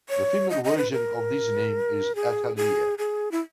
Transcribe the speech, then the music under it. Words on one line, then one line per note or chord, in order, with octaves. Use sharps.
The female version of this name is Athaliah.
C#5
D#5
D#5
B4
A#4
G#4
G#4
G#4
E4